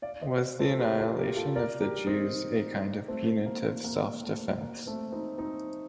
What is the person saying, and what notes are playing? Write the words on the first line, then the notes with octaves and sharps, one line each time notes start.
Was the annihilation of the Jews a kind of putative self-defence?
D5 F5
C5 D#5
A4 C5
G4 A#4
F4 A4
G4 A#4
F4 A4
A#4 D5
G4 A#4
C4 D#4
A3 C4
A#3
A#3
A3
A#3
A3 C4
C4 D#4
C4 D#4